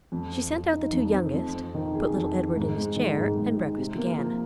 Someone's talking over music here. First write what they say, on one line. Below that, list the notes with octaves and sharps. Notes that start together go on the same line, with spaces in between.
She sent out the two youngest, put little Edward in his chair, and breakfast began.
F2
C4
F3
D#4
F2
C4
F2
C4
D#3
G#4
F2
C4
G#2
G#3
D#3
G#2
G#2
G#3
C3
A#3
F3